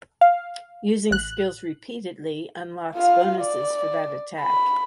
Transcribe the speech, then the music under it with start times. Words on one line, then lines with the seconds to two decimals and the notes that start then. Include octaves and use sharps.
Using skills repeatedly unlocks bonuses for that attack.
0.21 F5
1.11 A1 F#6
2.95 F4 F5
3.41 D5
4.40 B5